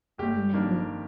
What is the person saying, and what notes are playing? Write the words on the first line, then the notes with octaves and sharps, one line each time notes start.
Oh man.
G1 G4
F2 D#3 A#3 D4